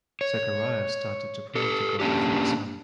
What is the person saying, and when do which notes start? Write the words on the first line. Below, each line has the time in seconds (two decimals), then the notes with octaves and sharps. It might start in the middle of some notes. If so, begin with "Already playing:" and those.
Zechariah started to pray to God for a son.
0.21 C#5
1.55 G4 A4
2.00 A#3 C#4 D4 G4